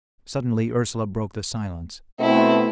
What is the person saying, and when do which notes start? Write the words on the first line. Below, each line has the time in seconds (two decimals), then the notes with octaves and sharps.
Suddenly Ursela broke the silence.
2.20 B2 A3 C4 E4